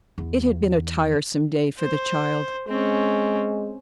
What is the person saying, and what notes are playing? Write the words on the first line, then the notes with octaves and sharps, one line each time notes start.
It had been a tiresome day for the child.
E2
C5
G#3 C4 C#4